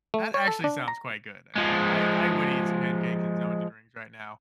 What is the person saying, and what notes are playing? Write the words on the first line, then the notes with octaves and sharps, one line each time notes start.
that actually sounds quite good, I mean, I I would eat some pancake and some onion rings right now.
A3
C#5
A4
D4
A#5
F3 G#3